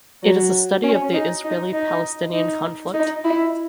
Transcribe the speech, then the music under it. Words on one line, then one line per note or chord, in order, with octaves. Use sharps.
It is a study of the Israeli-Palestinian conflict.
F#3
C#4
D#4
D#4
D#4
D#4
D#4
E4